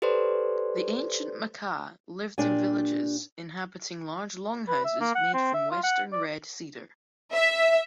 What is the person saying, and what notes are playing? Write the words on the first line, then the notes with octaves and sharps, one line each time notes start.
The ancient Makah lived in villages, inhabiting large longhouses made from western red cedar.
G4 A4 B4 C5 D5 C6
A#2 D4 G4 G#5
B4
E5
A#3
F#5
C4
E5
F4
F#5
D5
E5